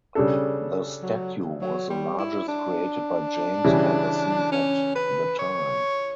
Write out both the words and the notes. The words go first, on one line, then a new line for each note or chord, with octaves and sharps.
The statue was the largest created by James Anderson at the time.
C#3 G3 D4 A4
F#3
F#3
G3
E4
D4
C#3 E3 G3
C#4
B4
C#5